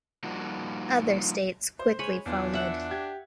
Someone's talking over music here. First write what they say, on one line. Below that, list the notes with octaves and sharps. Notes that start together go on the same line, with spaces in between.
Other states quickly followed.
F3 G3 A#3 D#4 F4 F#4
C5
G#3 C#5 G#5 B5
E2 D4 F4
E5 F#5
G4 G#6